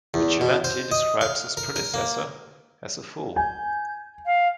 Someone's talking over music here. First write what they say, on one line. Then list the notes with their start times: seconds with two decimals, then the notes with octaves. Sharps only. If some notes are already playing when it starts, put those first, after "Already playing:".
Vigilante describes his predecessor as a fool.
0.14 E2
0.41 B2
0.64 C5
0.91 D#5
1.21 F5
1.57 A#4
1.76 A#4
1.94 A#3
3.36 G#5 G6
4.26 F5